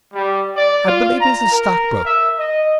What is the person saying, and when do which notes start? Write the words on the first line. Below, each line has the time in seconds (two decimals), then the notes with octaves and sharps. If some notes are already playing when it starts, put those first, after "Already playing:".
I believe he's a stockbroker.
0.14 G3
0.56 D5
0.88 F4
1.21 A#5
1.51 A#4
2.04 E5
2.39 D#5